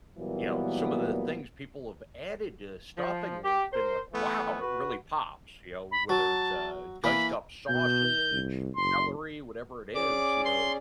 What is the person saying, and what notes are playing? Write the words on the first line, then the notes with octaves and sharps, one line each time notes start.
you know, some of the things people have added to the stuffing where it's been like, "Wow, it really pops," you know, whether it's a diced up sausage, celery, whatever it is, you know,
A#2 E3 F#3 G3 A#3 B3
F3
G4
A#4 C5
E3 A3 B3
F#4 B4
B5
F#3 A5
E3 A#3 B5
B2 G6
C2
F#1 C6
C#4 G#4 D5 D6
C6